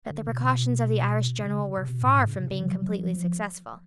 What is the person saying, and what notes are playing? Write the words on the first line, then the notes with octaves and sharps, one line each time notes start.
But the precautions of the Irish general were far from being completely successful.
D3
B2
C#3
C3
B2
A2
G#2
C#3
C3
C#3
F3
F#3
F#3
F3
F3